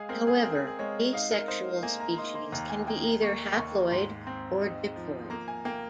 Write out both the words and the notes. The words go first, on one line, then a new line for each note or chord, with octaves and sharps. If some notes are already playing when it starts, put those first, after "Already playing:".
However, asexual species can be either haploid or diploid.
Already playing: G#3 G#4 F5
C4 A#4
G#4
C4 A#4
G#4
G#4
G#3 C#5
D#4 F5
A#4
D#4 C5
A#3 G#5
A#5
D#4 C6
C6
D#2 A#5
G#5
A#3 G5
A#5
A#3 C#6
D#2 C#6
G#2 C6
C4
D#4
F3
A#3 A#5
G#5
A#3 G5